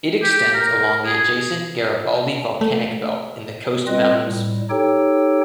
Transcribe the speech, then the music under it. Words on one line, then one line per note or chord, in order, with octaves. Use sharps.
It extends along the adjacent Garibaldi Volcanic Belt in the Coast Mountains.
G4
A#4
G#4
A3
G3 C4 F4 B4 D#5
A2 G3
D#4 G4 A4 C#5 G5